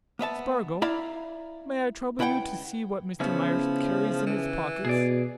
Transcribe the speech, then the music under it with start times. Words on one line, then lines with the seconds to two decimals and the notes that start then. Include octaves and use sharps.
Spargo--may I trouble you to see what Mr. Myerst carries in his pockets?
0.19 A#3 B3 E5 A5
0.82 E4 D5 E5 F5 A#5 B5
2.19 C#2 E4 B4 F#5 G5
3.20 C#3 F3 B3 C#4 E4
4.26 E3
4.85 B2 G#4 D5